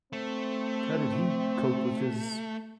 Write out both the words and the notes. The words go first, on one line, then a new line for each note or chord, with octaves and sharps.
how did he cope with his
A3 C4